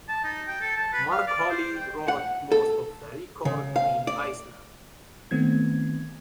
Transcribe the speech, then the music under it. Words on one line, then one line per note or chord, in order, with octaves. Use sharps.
Mark Holley wrote most of the record in Iceland.
A5
D#4
G5
A4
A5
B4
F5
D5
C5
G5
F#5
A4
C#3
F5
D5
D#3 A3 B3 C4 G#6